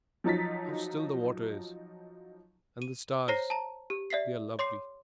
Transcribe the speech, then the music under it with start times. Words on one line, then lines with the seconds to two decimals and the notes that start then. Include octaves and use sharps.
"How still the water is; and the stars, they are lovely!"
0.24 F3 F#3 D#4 A6 B6
2.82 D#7
3.28 C5 C#5 A#5 A#6 C7
3.50 A5 A#5
3.90 G4
4.10 D5 E5 B6 C7
4.59 C#5 C6 D6 C7